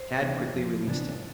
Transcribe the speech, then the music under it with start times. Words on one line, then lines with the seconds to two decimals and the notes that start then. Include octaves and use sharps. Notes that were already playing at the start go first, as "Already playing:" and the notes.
Tad quickly released him.
Already playing: C5
0.21 C3 E3 B3 D4
0.54 F2
0.87 C3 E3 B3 D4